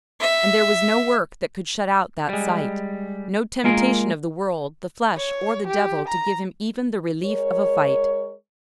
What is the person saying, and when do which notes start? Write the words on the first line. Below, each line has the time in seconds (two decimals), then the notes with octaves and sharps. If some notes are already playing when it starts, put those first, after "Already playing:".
And there was no work that could shut out that sight--no temptation of the world, the flesh, or the devil to give him even the relief of a fight.
0.21 E5
2.29 G3 G#3
3.64 G#3 A#3 F4 G#4 A#4
5.17 C#5
5.68 G4
6.08 A#5
7.24 G#3 A#4 C#5